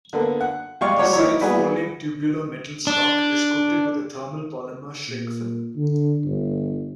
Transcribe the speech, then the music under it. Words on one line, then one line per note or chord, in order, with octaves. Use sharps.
The side-folding tubular metal stock is coated with a thermal polymer shrink film.
D3 A#3 B3
F#5
G3 G#3 G4 D5 F5 C#6
F3 G3 F#4 C#5 D5
D#4 E4 C#5
G3 B3 F#4 G#4 B4
D4
A#2
D3
G1